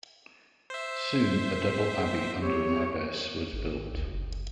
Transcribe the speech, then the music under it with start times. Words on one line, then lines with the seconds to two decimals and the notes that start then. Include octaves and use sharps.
Soon a double abbey under an Abbess was built.
0.70 C5 E5
2.39 G4 C#5
3.53 G#1
3.94 D2
4.07 F#1